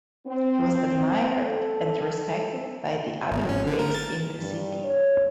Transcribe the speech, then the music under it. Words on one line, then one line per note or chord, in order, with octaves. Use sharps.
He was admired and respected by the other Greeks in the city.
C4
A4
G#1
C#4
D3
A#4
A6
G2
C#5